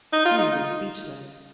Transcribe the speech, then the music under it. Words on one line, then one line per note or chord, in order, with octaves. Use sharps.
He was speechless.
D#4
F4
D#4